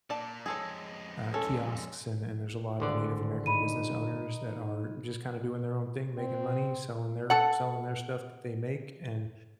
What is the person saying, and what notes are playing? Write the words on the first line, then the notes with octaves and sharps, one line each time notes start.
uh, kiosks and and there's a lot of Native American business owners that are just kinda doing their own thing, making money, selling their selling their stuff that they make, and
A#2 D5 A5
F2 G#3 G#4 A4 C#5
C#4 A4
G#1 D3 D5
D#4 B5 D#7
C4
A4 F#5